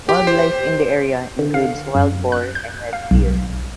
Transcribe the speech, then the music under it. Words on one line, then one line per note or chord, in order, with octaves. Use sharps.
Wildlife in the area includes Wild Boar and Red Deer.
G4
C5
D3
F5
F#2
F#6
G6
F5
B1